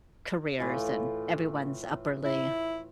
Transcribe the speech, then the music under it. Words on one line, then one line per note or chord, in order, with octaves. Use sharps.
careers and everyone's upwardly
A2 E3 F4
E4